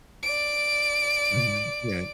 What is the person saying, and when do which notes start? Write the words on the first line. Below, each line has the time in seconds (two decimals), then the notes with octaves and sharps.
Mhm. Yeah.
0.22 D5 D7